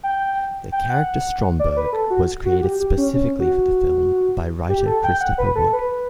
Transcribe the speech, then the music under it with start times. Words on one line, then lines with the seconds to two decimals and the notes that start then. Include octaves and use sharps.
The character Stromberg was created specifically for the film by writer Christopher Wood.
0.03 G5
0.72 G5
0.89 F#5
1.59 D5
1.77 B4
1.93 A4
2.10 F#4
2.45 F#4
2.62 G4
2.80 G4
2.97 C#4
3.14 C#4
3.40 F#4
4.69 G4
4.86 A4
5.04 G5
5.20 F#5
5.38 B4
5.56 A4
5.73 B4